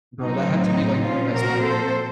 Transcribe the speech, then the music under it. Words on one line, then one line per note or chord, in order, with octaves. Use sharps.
Bro, that had to be, like, the best event.
A2 F#3 C4 D#4
D#4
A#2 F3 C4 C#4 F4
F#4 A#4
A4 C5